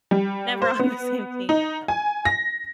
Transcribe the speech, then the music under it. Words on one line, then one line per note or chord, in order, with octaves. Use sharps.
never on the same team, it felt like,
G3
C5
B3
D#4
G#5
A#6